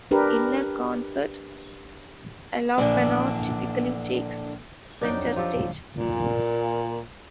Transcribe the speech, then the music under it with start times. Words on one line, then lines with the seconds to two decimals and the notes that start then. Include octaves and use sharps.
In a concert, alapana typically takes center stage.
0.11 D4 G4 A#4 B4
2.78 A#1 D3 E3 D4
5.01 F2 F#3 D4 D#4 G5
5.36 F3 G4 A4
5.96 A#2